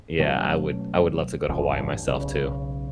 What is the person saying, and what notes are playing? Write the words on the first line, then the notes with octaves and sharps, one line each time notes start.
Yeah, I would I would love to go to Hawaii myself too.
B2 F#3 A3 C#4
D#1 C#2 C#3 F3
A1 G2
B1 C#3